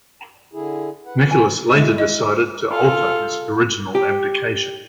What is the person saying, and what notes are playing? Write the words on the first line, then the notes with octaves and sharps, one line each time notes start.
Nicholas later decided to alter his original abdication.
D3 E4 G#4
B4 F#5
G#5
G#3 E4
D#5
F4 A4
G4